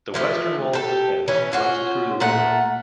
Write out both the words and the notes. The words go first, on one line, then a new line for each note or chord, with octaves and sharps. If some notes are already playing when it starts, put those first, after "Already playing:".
The western wall of the fence runs through the river.
E3 F3 A3
G4 A4
E3 C#4
C#4 F4 F#4
A#2 A3 F#5